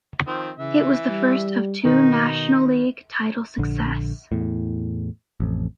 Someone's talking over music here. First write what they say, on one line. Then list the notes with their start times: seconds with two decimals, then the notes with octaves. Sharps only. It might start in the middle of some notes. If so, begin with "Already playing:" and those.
It was the first of two National League title success.
0.27 D#3 F3 C4
0.59 C#3 E3 E5
1.09 G3
1.85 B2 D#3 D#4
3.58 A#1 D3
4.32 E2 A2
5.40 A1 F2